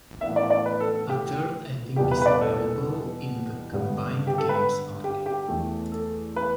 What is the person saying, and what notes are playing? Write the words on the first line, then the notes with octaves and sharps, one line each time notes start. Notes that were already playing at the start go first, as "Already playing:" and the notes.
A third ending is available in the combined games only.
A2 E3 B3 D4 E5
D5
D5
B4
A4
A4
G4
E2 B2 G3 B3 D4 G4
B4
B4
D5
A4
G2 D3 G3 B3 D4
G4
A4
B4
G4
G4
E2 E3 A3
A4
B4